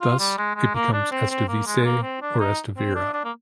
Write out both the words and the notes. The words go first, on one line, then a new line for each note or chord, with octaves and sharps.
Thus, it becomes "estuviese" or "estuviera".
F4
G3
G#3
G#3
A#3
D4
C4
C4
A#3
G#3
A#3
C4
D4
D#4
C4
D4
D4
A#3